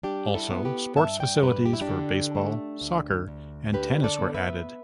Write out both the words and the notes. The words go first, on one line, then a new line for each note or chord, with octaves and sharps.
Also, sports facilities for baseball, soccer, and tennis were added.
G3 D4 G4
E4 A4
B3
G4 B4
G2 E5 A5
D5 G5
G2 G4 B4
G4
E4
D4 G4
D3
A3
D2
D2
D3 G4 B4
A4 D5
B3
B4 E5